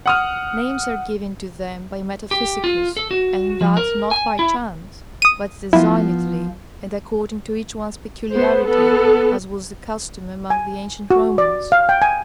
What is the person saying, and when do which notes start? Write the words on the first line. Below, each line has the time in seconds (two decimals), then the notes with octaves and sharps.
Names are given to them by Metaphysicus, and that not by chance, but designedly, and according to each one's peculiarity, as was the custom among the ancient Romans.
0.06 F#5 D#6 F6
2.31 G4
2.64 F4
2.97 A4
3.11 F#4
3.61 F3
3.77 A#4
4.11 G#5
4.39 E4
5.22 D#6 D#7
5.73 F3 B3 E4 F4
8.32 B3 C5
8.66 B3 A4
10.50 G#5
11.11 F#4
11.38 D5
11.72 F5
11.89 G5
12.02 G#5